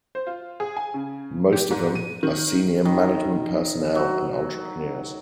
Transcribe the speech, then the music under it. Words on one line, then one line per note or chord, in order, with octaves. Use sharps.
Most of them are senior management personnel and entrepreneurs.
C5
F4
G#4
G#5
C#3
G4
G#2
D#7
D#3
D#3
F#3